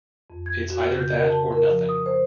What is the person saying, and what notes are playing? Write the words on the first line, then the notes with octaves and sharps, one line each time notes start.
It’s either that or nothing.
F2
G#6
F#4
C#3
G6
A#4
A5
A#4
F3
D#6
C5